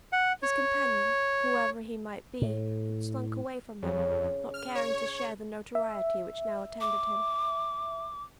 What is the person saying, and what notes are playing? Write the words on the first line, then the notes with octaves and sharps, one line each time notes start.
His companion, whoever he might be, had slunk away from him, not caring to share the notoriety which now attended him.
F#5
C#5
A2
F2 C#3
F6
C#5
E5
D6